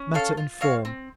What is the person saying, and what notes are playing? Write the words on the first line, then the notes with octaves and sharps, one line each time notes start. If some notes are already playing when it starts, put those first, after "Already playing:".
Matter and Form.
Already playing: C#4
A4 C#5 F5
F4
C4 C#5 F5
C4